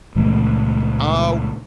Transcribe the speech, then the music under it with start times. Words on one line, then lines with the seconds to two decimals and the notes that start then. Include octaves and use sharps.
D oh
0.15 C#2 A#2 E3 A3